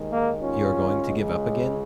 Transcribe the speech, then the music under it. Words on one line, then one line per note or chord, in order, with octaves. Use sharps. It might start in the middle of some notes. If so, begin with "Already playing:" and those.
You're going to give up again?
Already playing: D#2 D#3 G#3
A#3 D#4
C#4 F4
C#2 C#3 G#3